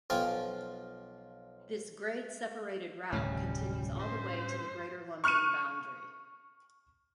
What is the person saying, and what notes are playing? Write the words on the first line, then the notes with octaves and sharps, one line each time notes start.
This grade-separated route continues all the way to the Greater London Boundary.
B1 F3 F4 F5 G5 G#5
F1 D2 A2 C#3 G3 C#4
G2 C5
C#6 F6 F#6 C#7 D#7